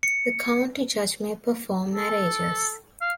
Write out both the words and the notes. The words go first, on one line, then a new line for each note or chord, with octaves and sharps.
The county judge may perform marriages.
C#7
A4
F5